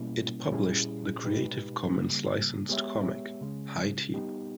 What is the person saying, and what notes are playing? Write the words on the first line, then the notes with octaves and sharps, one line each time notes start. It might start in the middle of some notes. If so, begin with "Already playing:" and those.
It published the Creative Commons-licensed comic, Hai Ti!
Already playing: B2 G3 A#3 C#4 E4
A#2 G3 C#4 E4 G#4
B2 G#3 D#4 G4 B4
C#3 G3 A#3
G#3 B3 G4 C#5 E5
C#3 G#3 C#4
G3 B3 D#4 G4